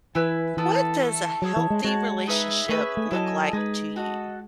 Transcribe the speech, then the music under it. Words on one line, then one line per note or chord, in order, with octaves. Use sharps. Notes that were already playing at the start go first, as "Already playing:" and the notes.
What does a healthy relationship look like to you?
E3 E4 B4 E5 G#5
E3 B3 E4 A4
A3 E4 A4
F#3 G#4 C#5 E5 A5
E3
G#3
G#3 F#4 C#5 F#5 A5
D#4 G#4 B4 E5
A3 C#4 G#4 B4 E5
A3
F#3 E4 A4 D#5 G#5
G#3 D#4 G#4 B4
F#4 A4 D#5 F#5